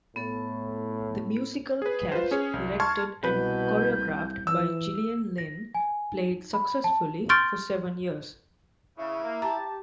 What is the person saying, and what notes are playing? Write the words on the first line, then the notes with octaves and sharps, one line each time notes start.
The musical "Cats" directed and choreographed by Gillian Lynne played successfully for seven years.
A2 B3 A4
G#4 B4
F4 B4 C5
C#4 G#4 C#5
C2
A5 C6 C#6 F6 G#6
C2 B2 B4 G6
E3 E6
A#6
G#5
D#4
B5
A5
C6 C#6 F6 G6 A6 D7
C#3 E4
A#3
G4 A5 A#5